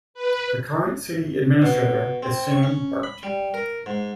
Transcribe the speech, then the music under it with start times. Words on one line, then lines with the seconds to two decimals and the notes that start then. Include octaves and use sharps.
The current City Administrator is Sam Burt.
0.14 B4
1.62 B2
2.23 C4
2.51 C#6
2.63 C#4
3.03 B5
3.23 G3
3.54 A#4
3.86 G#2